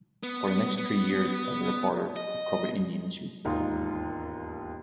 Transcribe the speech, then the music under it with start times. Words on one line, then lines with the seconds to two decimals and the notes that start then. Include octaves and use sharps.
For the next three years as a reporter, he covered Indian issues.
0.23 B3
0.78 B3
2.16 D#5
3.45 E1 D#2 G#2 D#4 F4 C6